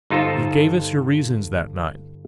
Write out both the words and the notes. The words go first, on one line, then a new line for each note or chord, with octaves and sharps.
You gave us your reasons that night.
G1 D#4 F4 A4 C5 A5